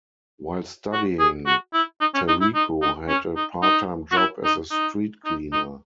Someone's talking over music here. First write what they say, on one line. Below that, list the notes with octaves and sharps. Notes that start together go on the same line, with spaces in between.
While studying, Tariko had a part-time job as a street cleaner.
F#4
G#4
F#4
E4
D#4
C#4
D#4
E4
D#4
D#4
C#4
D#4
D#4
F#4
E4
D#4
D#4
D#4
D#4